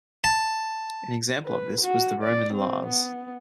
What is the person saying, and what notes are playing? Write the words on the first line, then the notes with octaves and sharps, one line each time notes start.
An example of this was the Roman Lares.
A5
B4
F#4
D5
C4
B3